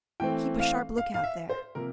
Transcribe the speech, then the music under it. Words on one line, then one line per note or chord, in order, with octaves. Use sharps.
Keep a sharp lookout there.
E3 A3 C4 G5
F5
F5
F5
E5
C5
C3 F3 A#3 A#4